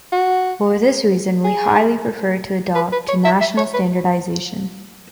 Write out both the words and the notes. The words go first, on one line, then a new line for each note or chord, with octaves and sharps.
For this reason we highly prefer to adopt to national standardization.
F#4
G#4
B4
B4
C#5
E5
E5
C#5
B4